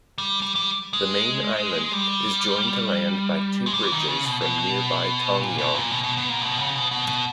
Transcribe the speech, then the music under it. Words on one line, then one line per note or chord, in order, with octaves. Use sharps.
The main island is joined to land by two bridges from nearby Tongyeong.
G3
G3
G3
G#3
G3
G#3
G3
E3
D#3
C#3
B2
B2
A#2
B2
A#2
B2
B2
B2
A#2
B2
C#3
B2
B2
B2